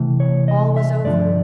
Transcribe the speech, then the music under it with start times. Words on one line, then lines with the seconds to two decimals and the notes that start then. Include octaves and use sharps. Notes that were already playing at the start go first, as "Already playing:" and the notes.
All was over.
Already playing: C3 E3 A3
0.20 C#5
0.48 D#5
0.76 E5
1.04 G2 D3 F3 D5